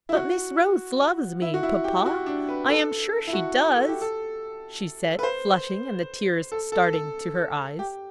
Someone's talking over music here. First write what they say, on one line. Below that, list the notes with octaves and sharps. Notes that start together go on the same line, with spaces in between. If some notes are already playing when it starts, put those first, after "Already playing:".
"But Miss Rose loves me, papa; I am sure she does," she said, flushing, and the tears starting to her eyes.
E4
F#4
E4
F#4
E4
G4
F#4
D4
B4
A4
E4
F#4
A4
G4
A4
B4
C5
A4
A4
A4
G4